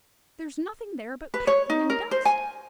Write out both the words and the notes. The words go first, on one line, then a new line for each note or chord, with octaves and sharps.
There's nothing there but packing and dust.'
B4
C#5
D#4
A#4
C5
G#5